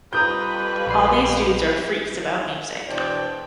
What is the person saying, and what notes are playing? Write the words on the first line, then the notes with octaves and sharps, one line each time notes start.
All these dudes are freaks about music.
F2 G3 F4 B4 A#5 D#6 G6
A#1 F#5 C7
E2 B2 D4 C5 D5 G5